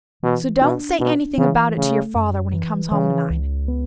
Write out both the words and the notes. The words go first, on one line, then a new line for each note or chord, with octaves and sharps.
So don't say anything about it to your father when he comes home to-night.
B2 E3
B2 D4
B2 D4
C#3 E3
C#3 A3
F#2
E3
C#3 E3
C#2
B3